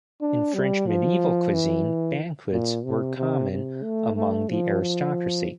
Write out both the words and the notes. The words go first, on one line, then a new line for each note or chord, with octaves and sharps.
In French medieval cuisine, banquets were common among the aristocracy.
D4
G3
F3
E3
A#2
C3
C3
C3
A3
A3
F3
F3